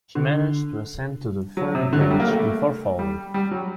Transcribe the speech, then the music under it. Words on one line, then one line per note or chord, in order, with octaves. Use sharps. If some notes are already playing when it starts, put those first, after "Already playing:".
She managed to ascend to the third branch, before falling.
D3
F#3
C3
D3
F#3
G3
A#3
A3
G3
G3
F#3